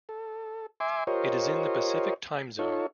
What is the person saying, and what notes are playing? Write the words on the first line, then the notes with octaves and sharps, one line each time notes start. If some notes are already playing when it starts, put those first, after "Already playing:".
It is in the Pacific time zone.
A4
E5 G#5 C6 D6
F4 G4 A#4 C5 C#5 D#5
D#4 F4 A4 C#5